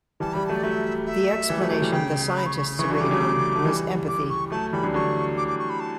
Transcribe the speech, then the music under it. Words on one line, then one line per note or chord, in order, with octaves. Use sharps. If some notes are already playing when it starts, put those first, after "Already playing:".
The explanation the scientists agreed on was empathy.
E3 G3 A5
E3 G3 B5
F#3 A3 A5
D5
F#3 A3 E5
E5
E3 G3
F#3 A3
F#3 A3
E3 G3
C#3 G5
C#6
B5
C#6
C#6
C#3 E3 C#6
D3 F#3
C#6
E3 G3 D6
F#3 A3
A3
E3 G3
D6
C#6
F#3 A3 A5
E3 G3 B5
D3 F#3
D3 F#3 C#6
D6
D6
C#6
B5
A5